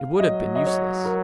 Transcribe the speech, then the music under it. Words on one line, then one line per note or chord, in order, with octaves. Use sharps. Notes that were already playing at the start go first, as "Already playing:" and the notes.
It would have been useless.
Already playing: F5
F#3 D#5
D#5
C#5
A#4